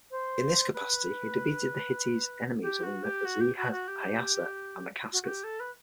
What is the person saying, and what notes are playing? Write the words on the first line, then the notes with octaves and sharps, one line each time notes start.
In this capacity, he defeated the Hittites' enemies among the Azzi-Hayasa and the Kaskas.
C5
B4
G4
F#4
G4
F#4
G4
F#4
F#4
G4
F#4
F#4
G4
A4
B4